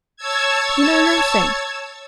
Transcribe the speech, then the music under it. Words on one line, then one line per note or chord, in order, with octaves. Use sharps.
"You know nothing."
C#5 A5 E6 G#6